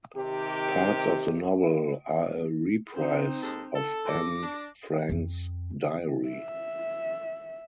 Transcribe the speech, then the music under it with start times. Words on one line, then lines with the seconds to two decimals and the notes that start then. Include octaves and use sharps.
Parts of the novel are a reprise of Anne Frank's Diary.
0.16 C3 D#3 G4
2.94 C4 D#4
3.43 D#2 G#3 A4
3.75 A4
4.05 D6 A#6
4.42 D4
5.09 F2 C4
6.28 E5